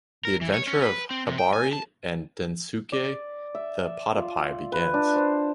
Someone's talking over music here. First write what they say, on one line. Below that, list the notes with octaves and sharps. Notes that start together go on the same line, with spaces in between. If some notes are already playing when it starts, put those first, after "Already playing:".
The adventure of Hibari and Densuke the PataPi begins.
A#4
E3
C#5
C#4
B4
C4
C3
G5
G#5
A5
D5
E5
F4
B4
D4
C5